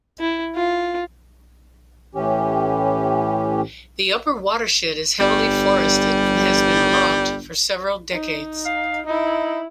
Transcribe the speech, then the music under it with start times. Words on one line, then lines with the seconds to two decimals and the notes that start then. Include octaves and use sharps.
The upper watershed is heavily forested and has been logged for several decades.
0.19 E4
0.55 F4
2.15 A2 E3 C#4 G4
5.20 G1 G3
8.13 D#4
8.65 F5
9.07 D#4 E4